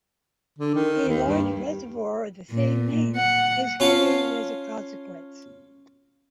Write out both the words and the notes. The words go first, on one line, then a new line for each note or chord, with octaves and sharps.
A large reservoir of the same name is created as a consequence.
D3
D#3
D#2
G2
A#2
F#5
C#4 F4 F5 A5